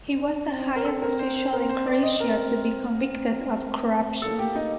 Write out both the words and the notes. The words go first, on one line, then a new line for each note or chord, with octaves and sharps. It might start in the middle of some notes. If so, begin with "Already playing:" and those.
He was the highest official in Croatia to be convicted of corruption.
D4
C4
A#4
A4
A#4
C5
C5
A#4
C5
D5
D#5
C4 A#4
C4
A#3 A4
G4
D#4